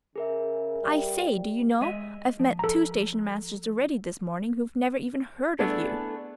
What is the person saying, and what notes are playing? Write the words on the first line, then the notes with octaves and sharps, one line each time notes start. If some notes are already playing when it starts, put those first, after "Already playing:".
I say, do you know, I've met two station-masters already this morning who've never even heard of you.
C#3 G#4 A#4 E5
G3
G#3 D#5 E5
F3
A4 A#5
A3 B3 D4 E4 G#4 A4